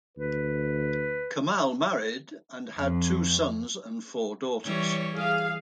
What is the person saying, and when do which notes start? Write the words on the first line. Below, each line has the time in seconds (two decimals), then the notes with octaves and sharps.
Kamal married and had two sons and four daughters.
0.17 D2 B4
2.80 F2
4.65 E3 G3 C#5
5.15 G#4 F5